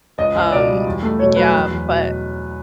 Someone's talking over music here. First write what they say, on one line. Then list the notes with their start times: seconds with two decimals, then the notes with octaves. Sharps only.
Um Yeah, but
0.18 C#2 D#5
0.35 C#2
0.52 B2 D5
0.69 G3
0.86 E2
1.02 A3
1.19 B2 C#5
1.36 F#3 B4
1.54 E2
1.70 E2
1.87 B2